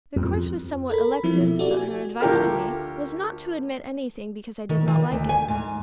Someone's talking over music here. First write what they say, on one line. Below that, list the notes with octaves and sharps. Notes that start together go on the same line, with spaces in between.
The course was somewhat elective, but her advice to me was, not to omit anything because I did not like it.
F2
A4 A#4 B5
F3 C4 E4
B2 E5
F#4 G4 A4 D5
G#5
D2 F4 G4 A#4 F6
D#3
D#3
D2
G#5
G#2